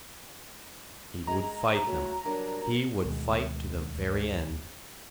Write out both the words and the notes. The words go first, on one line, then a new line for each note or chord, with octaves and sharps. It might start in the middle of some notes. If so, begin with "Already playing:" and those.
He would fight them--he would fight to the very end.
G#3 G#4 A#5
A3 C#4 F#4
F#3 G3 D4 A#4
D2 B2 D#3 G#3